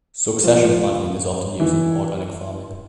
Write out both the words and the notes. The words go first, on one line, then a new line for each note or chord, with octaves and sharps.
Succession planting is often used in organic farming.
F3 F4
E3 E4